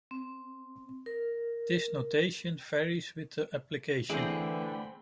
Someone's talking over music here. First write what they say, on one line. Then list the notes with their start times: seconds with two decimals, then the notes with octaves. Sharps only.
This notion varies with the application.
0.11 C4
1.06 A#4
4.10 D3 E3 A3 C4 G#4 G5 B5